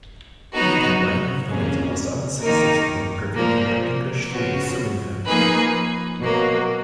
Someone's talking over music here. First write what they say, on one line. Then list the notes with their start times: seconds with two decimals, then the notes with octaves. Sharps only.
Either way, the letter was unsuccessful in preventing the English from pursuing him.
0.53 F#3 B3 D#4 F#4
1.47 F2 F3 A#3 C#4 G#4
2.42 D#3 A#3 D#4 A#4
3.36 A#2 F3 A#3
4.31 C#3 F3 B3 F#4
5.26 F3 A#3 D#4 G#4 B4
6.20 B2 F#3 A#3